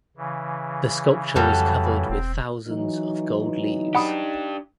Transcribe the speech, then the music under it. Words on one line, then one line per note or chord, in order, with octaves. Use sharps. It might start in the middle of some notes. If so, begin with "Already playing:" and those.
The sculpture was covered with thousands of gold leaves.
C#3 E3
F2 F#3 G3 A4
E1 C4
E3 F#3 D#4
D4 G4 F#5 B5 D#6